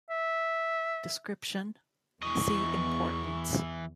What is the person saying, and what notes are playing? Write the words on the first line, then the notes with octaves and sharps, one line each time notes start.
Description: See Importance.
E5
E2 E3 D#5 C#6